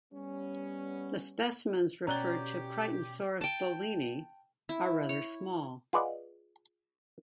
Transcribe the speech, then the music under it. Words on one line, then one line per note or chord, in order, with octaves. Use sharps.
The specimens referred to "Crichtonsaurus bohlini" are rather small.
G3 B3 C#4
B2 C#4 G4 D5 A#5 F#6 A6 G7
G5 A5
E4
C#5
F4 G#4 B4 D5 D#5 F#5